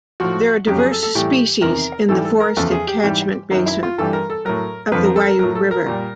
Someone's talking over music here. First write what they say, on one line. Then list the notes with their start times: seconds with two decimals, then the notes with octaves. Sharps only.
There are diverse species in the forested catchment basin of the Waiau River.
0.20 A2 F3 F#4
0.67 F2 C#3 F#3 G4
0.79 G#4
0.92 A4
1.03 A4
1.15 A2 E3 G3 G4
1.61 E2 C3 D#3 A#4
2.09 G#2 E3 G3 A4
2.25 A4
2.40 A#4
2.57 E2 C#3 F3 A4
2.72 G#4
2.87 G4
3.04 G#2 E3 G3
3.51 F#2 D#3 F#3
3.66 E4
3.83 F4
3.98 G2 E3 G3 A4
4.13 A#4
4.30 A4
4.45 A2 F#3 A#4
4.92 F2 D3 F3 B4
5.04 A#4
5.16 A4
5.27 A#4
5.39 A2 F#3 A#4
5.55 A4
5.71 A#4
5.86 A#2 G3